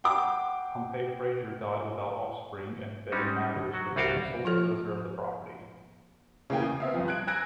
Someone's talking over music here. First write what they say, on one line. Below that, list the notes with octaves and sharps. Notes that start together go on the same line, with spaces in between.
Pompey Frazier died without offspring and Betty Mathers became sole possessor of the property.
F#5 G5 D6
G3 G#3 C#4 D#4
F#3 F#4
C2 G3 F#4 F5 G5
F3 F4 A4 C#5
C#3 E3 A#3 G5 G#5
D#6
B3 C4 E5 F5
G1 F2
F#6 G#6 D7
G#5 E6 F#6 G#6 A#6 D7